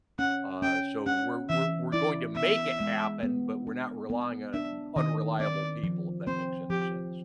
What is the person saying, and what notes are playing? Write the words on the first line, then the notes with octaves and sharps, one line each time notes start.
Uh, so we're we're we're going to make it happen, but we're not relying on unreliable people, if that makes any sense.
C#4 F#5
C#4 G5
C#4 F#5
E3 E5
E4 D5
B3 E5
G#3
B3
D4
B3
D4 E5
D#3 D#5
C4 D5
F3
C4 C5
F3 G4